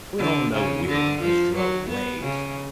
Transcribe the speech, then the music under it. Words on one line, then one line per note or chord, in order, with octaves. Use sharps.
"We all know Will and his droll ways."
D3
C#3
D3
F3
F#3
B3
C#3